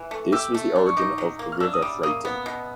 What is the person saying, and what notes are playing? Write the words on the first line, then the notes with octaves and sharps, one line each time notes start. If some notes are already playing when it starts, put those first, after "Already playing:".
This was the origin of river freighting.
Already playing: E3
A3
G4 E6
A3
D4
C#6
D#4 D6
F#3
A#3
F6
D4 E6
D#6
G3 D6
A#3 D#6
B3
B2